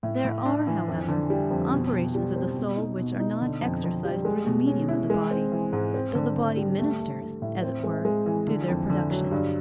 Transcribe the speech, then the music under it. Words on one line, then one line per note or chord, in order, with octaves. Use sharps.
There are, however, operations of the soul, which are not exercised through the medium of the body, though the body ministers, as it were, to their production.
A2
A2
D4
E3
F2
D3
G3
F2
B2
B2
G3
C4
B2
D#4
B2
D#4
D3
F2
F2
G3
G#3
B2
C#4
E4
G#3
C4
E3
G#2
C4
D3
D3
G3
A3
A3
A3
A2
C4
G#3
G#3
E3
D3
F2
D3
F#3
G2